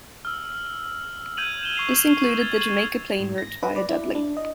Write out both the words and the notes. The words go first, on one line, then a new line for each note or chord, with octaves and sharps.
This included the Jamaica Plain route via Dudley.
E6 F6
F6 G6 G#6 D#7 F7 F#7
E7 G7
C#6 C7 F7
G#6 A6
G#2
A#6
B4
D5
E4
D4
D#5